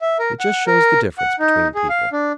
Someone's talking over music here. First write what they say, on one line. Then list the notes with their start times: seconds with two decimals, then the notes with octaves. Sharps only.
It just shows the difference between people.
0.01 E5
0.19 A#4
0.40 F#5
0.67 A#4
1.18 F#5
1.40 D#4
1.75 G#4
1.89 F5
2.12 D4